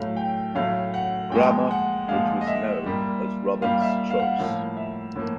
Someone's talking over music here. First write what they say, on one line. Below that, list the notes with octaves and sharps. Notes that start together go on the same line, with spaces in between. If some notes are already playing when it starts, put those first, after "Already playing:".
Grammar, which was known as Robert's Choice.
Already playing: A2 F#3 A3 F5
G5
A2 F#3 A3 F5
F#5
A#2 F3 G#3 G5
F#5
A#2 F3 G#3 F5
D#5
E5
A#2 G3 A#3
A#2 G3 A#3 F5
E5
F5
F#5
A2 F3 A#3 F5
E5
A2 F3 A#3